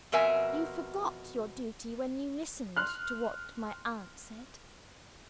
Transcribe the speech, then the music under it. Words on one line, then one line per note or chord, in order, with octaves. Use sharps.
"You forgot your duty when you listened to what my aunt said."
F2 B2 A#4 E5 G#5
C6 F6 F#6